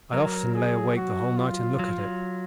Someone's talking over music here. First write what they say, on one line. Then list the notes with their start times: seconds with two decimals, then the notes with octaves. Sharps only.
I often lay awake the whole night and look at it.
0.13 F#3 A#4
0.54 G#4
0.96 F#4
1.37 F4
1.79 F#3
1.88 F3
1.98 F#3